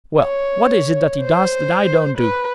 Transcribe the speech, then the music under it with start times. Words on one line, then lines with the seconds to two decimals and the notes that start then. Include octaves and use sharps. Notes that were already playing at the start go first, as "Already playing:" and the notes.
Well, what is it that he does that I don't do?
0.20 C#5
1.23 C5
2.18 B4